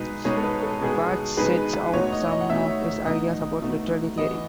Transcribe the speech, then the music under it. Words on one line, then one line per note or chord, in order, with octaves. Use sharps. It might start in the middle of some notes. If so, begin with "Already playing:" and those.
Barthes sets out some of his ideas about literary theory.
Already playing: B2 G#3 B3 D#4 G#4 B4
B2 G#3 B3 D#4 G#4 C#5
A4
B4
A4
B2 G#3 B3 D#4 G#4
B2 G#3 B3 D#4 G#4 B4
B2 A3 D#4 F#4 C#5
D#5
D#5
F#5
B2 A3 D#4 F#4 E5
B2 A3 D#4 F#4 D#5
B2 A3 D#4 F#4
E3 B3 F#4 D#5